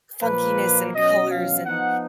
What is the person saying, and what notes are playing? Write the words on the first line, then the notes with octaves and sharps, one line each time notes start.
funkiness and colors, and
A#2 F3 A#3 B4
B2 F#3 C#4 D#5
F5
F3 B3 D#4 F#5